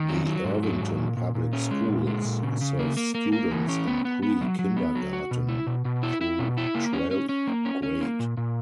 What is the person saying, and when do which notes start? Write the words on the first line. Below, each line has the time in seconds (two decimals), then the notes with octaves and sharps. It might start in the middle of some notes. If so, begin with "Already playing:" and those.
The Irvington Public Schools serve students in pre-kindergarten through twelfth grade.
Already playing: D#3
0.08 F#3
0.26 F#3
0.45 G#2
0.63 F#3
0.80 G#2
0.98 A#2
1.17 A#2
1.35 A#2
1.53 C#4
1.71 G#3
1.89 A#2
2.07 G#3
2.25 A#2
2.43 C#3
2.61 C#3
2.79 A#3
2.97 A#3
3.15 A#3
3.33 A#3
3.51 E3
3.69 C#4
3.87 B3
4.05 B3
4.23 B3
4.41 F#3
4.59 F#3
4.77 B3
4.95 F#3
5.13 F#4
5.31 B2
5.49 E4
5.67 B2
5.85 B2
6.03 E4
6.21 E4
6.39 B2
6.58 E4
6.75 A#3
6.93 C#4
7.11 C#4
7.29 C#4
7.47 A#3
7.65 C#4
7.83 C#4
8.01 A#3
8.20 A#2
8.37 A#2